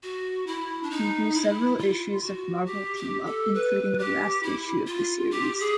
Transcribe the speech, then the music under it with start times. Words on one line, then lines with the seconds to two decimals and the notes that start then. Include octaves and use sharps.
He drew several issues of "Marvel Team-Up" including the last issue of the series.
0.03 F#4
0.47 E4
0.83 D4
0.91 D#4
1.35 E4
1.79 F4
2.23 F#4
2.66 G4
2.96 G4
3.25 A4
3.54 B4
3.99 G4
4.43 E4
4.87 F4
5.31 G4
5.60 G#4